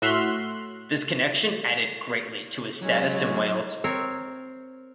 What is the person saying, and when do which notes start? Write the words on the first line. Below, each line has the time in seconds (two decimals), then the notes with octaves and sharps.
This connection added greatly to his status in Wales.
0.02 A2 F#4 E5 C6 F6 F#6
2.82 F#3 G#3 C#4 C#5
3.84 C4 A#4 C#5